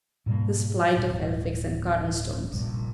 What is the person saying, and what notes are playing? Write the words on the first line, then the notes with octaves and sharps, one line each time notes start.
"This flight of Elphick's and Cardlestone's."
G#2 B2 G3 A#3
D1 G2 B2
F1 A#1 G2